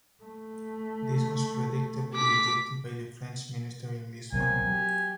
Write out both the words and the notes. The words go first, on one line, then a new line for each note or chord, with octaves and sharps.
This was predictably rejected by the French minister in Lisbon.
A3
D6 B6
C2 B2 F#3 A#3 C4 G#5
F#3 G4